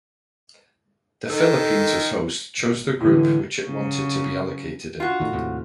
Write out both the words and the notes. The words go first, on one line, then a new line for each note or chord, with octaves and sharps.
The Philippines as host chose the group which it wanted to be allocated in.
D#3 A4
G#1
A2 D3 E3 G#3
C#3 F#3
F4 F#4
A2 D#3
D#2 A2 C3